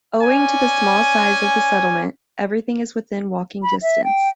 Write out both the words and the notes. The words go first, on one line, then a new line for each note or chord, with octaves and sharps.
Owing to the small size of the settlement, everything is within walking distance.
C#4 D5 G#5
B5
E5
G5